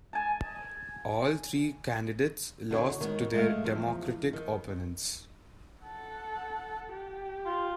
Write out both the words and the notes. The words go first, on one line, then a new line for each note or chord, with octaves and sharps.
All three candidates lost to their Democratic opponents.
G#5 A5
D3 D#4 F#4 C#5
D#3 G#3 B3
G#3 A3 F5
E2 F3
D#3
A4 F#5
G4
F4